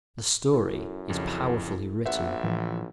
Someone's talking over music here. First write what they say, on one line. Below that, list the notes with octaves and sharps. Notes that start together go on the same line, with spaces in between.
The story is powerfully written.
F#2 E4 A4
F2 C#3
A#1 B3 F#4 C5 E5 F#5
A2 E3 F3